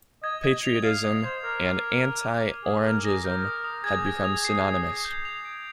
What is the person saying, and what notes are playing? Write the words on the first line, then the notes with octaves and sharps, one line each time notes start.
Patriotism and anti-Orangism had become synonymous.
D#5 G#6
D#5 G#6
F7
D#5
F5 C7
D#5 G#6
C5 G#6
A#4 D6
D#7
C7
F6
D6
D#7
G#4 D#6
A#4 D#6
G#4 A#6
A#4 G6
D#6
D#6
G#4 G#6
G#6
F7
C7
G#6
G#6
G6
F7
D7